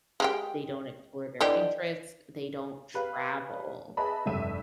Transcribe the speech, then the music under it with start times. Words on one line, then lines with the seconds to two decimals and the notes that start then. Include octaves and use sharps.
They don't explore their interests. They don't travel,
0.20 G#3 G4 G5
1.41 D3 E3 G4 D5 D#5
2.94 G4 B4 F5
3.97 G#4 B4 D#5 E5 A5 B5
4.26 F1 G2 E5 D#7